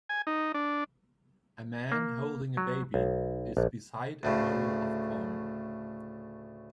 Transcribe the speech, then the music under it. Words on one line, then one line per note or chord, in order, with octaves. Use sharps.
A man holding a baby is beside a bowl of corn.
G#5
D#4
D4
A#3
F#3
B1
A#1
D2 A2 C#3